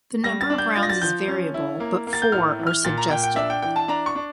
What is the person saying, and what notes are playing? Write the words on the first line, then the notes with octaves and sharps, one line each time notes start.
The number of rounds is variable, but four are suggested.
G3 A#6
A6
D4
G6
F4 A6
A#6
A6
F3 G6
C#4
E4
A#3
A#3
A6
G6
A2 F6
E3
F6
A#2 A6
A#5
A#2 G5
G5
D4 E5
G5
E3 G5
A5
D4 A#5
C#6
D4